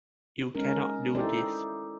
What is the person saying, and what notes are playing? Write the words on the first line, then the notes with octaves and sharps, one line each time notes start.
You cannot do this.
G#3 C#4 D#4 A#4
D#4 E4 G4 A4 C5 D5